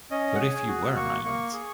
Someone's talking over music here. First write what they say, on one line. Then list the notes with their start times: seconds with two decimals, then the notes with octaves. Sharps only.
But if you were, I meant.
0.11 C#4 D#5
0.35 F#5
0.39 G#4 G#5
0.68 F#4
0.96 A#3 C#6
1.24 A#3 C#6
1.53 G#4